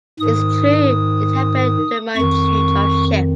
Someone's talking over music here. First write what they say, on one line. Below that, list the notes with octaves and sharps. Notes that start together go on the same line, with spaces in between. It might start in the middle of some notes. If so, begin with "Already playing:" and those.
It's true, it happened during my change of shift.
G#2 D#3 D#6
F2 D#3 C#6